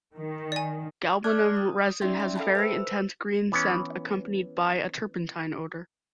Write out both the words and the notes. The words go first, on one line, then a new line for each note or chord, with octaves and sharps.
Galbanum resin has a very intense green scent accompanied by a turpentine odor.
D#3
D5 G#5
D5 A5 D6 F6 F#6 G#6
D#6
C#4 D#4 D5 E5 G5 C6
E5
A4 E5 G5 A5 B5
B4 C5 E6
E3 B3 C#4